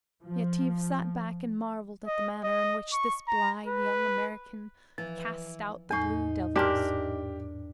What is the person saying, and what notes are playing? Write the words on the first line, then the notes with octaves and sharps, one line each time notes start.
Yetive sat back and marvelled at the manner in which this blithe young American cast out the "blue devils."
F3
D#5
D#5
C#6
A#5
B4
E3 F3
E2 A2 D#4 G#5
E2 G#2 D4 G4 A#4 F6